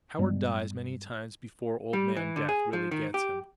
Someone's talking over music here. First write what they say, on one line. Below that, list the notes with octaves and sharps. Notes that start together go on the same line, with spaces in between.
A coward dies many times before Old Man Death really gets him.
G2 G3 G#3 B3
G3
E3
D3
G#4
F3
D#3
G4